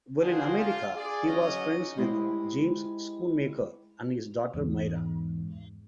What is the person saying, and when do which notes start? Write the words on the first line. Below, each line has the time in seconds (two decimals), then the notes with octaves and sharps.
While in America, he was friends with James Schoonmaker, and his daughter Myra.
0.21 A#3 D4 F#4 G#4 C5
0.59 F4
0.96 G#4 D5
1.25 F#3 C#4 D#5
1.98 G#3 E4 G4 C5 E5 G5
4.54 E2 G#2